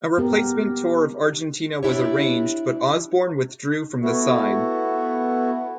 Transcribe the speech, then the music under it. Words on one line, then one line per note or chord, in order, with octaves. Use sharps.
A replacement tour of Argentina was arranged but Osborne withdrew from the side.
B3 G4 A#4
D4 E4 G4 C#5
A3 B3 E4 F#4